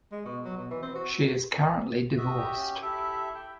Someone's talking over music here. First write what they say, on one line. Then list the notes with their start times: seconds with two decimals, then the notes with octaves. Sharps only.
She is currently divorced.
0.12 G#3
0.25 B2
0.44 F#3
0.57 B2
0.70 E3
0.82 C4
0.95 F#4
2.18 F#4 D#5 E5
2.36 G4
2.57 C#4
2.82 E4 G4 A4 E5
3.35 G5